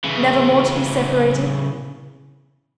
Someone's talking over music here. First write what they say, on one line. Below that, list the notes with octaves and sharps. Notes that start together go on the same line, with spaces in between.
"Never more to be separated?"
C#3 E3